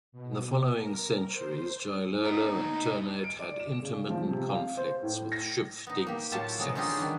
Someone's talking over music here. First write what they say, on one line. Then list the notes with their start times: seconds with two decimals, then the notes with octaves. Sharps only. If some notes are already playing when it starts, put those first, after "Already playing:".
In the following centuries Jailolo and Ternate had intermittent conflicts with shifting success.
0.12 B2
0.75 A#4
1.27 C5
2.25 B3 D4 D#4
2.55 D2 B2
2.74 B4 D#5
3.24 D7
3.39 D5
3.60 E7
3.82 C#3
4.10 F3
4.30 C3
4.49 F5
4.77 C5
5.03 A2
5.32 A#6
5.87 B3 D#4
6.07 A#3 G4
6.31 A2 F#3 F4 G4 A5
6.57 C3 F3 F#3 G#3 B3 D#4
6.75 D3 C#4 D#4 F4 G4 G#4
6.97 D#3 E3 G3 D4